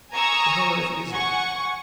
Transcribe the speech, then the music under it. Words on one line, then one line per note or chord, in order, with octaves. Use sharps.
"What on earth is it?"
G#5 A#5 C#6 D#6 E6
F#5 G#5 C#6